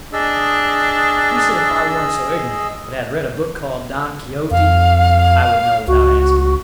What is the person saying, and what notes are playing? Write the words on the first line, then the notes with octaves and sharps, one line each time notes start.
He said if I warn't so ignorant, but had read a book called Don Quixote, I would know without asking.
D4 G#4 D#5 E6
F2 F5
C#2 F#4